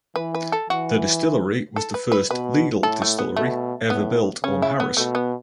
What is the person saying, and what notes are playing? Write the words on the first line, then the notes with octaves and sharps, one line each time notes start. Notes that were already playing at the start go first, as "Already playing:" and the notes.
The distillery was the first legal distillery ever built on Harris.
E3 B4
B4
A4
E3 F#4
A4
B4
B4
B2 B4
A2 A4
A3
B3
B2 A3
A2 B3
C#3 C#4
E4
B3
B2 A3
B3